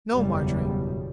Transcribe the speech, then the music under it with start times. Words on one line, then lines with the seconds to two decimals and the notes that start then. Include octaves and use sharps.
No, Marjorie.
0.14 F#1 E2 B2 G3